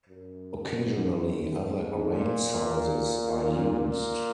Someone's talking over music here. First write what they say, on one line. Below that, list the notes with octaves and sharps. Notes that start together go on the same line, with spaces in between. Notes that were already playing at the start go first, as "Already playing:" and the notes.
Occasionally other grain sizes are used.
F#2
G#2
A#2
A#2